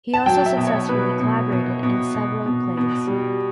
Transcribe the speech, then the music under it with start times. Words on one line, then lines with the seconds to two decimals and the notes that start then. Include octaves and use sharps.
He also successfully collaborated in several plays.
0.14 A5
0.26 F#3 G5
0.46 E5
0.57 B2
0.67 C#5
0.88 B2 B4
1.20 B2
1.52 B2
1.83 B2
2.14 B2
2.46 B2
2.77 B2
3.07 G3